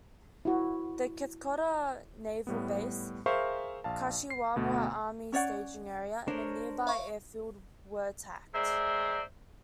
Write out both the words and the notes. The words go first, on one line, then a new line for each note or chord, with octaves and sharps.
The Katkoa Naval Base; Kashiwabra Army Staging Area and a nearby airfield were attacked.
E4 F#4
A2 G3 B3
G#4 A#4 C5 E5 F5 C#6
A#1 F5 A5
C7
D2 B2 A3 B3
C#4 C#5 D5 F#5
D4 A#4 C5 C#5
E5 F5 C#6
G#3 A#4 C5 D5 E5